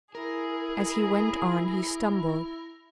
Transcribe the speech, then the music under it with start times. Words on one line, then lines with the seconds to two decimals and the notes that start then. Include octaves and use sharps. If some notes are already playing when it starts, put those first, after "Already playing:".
As he went on he stumbled.
0.15 E4 G#4 A#4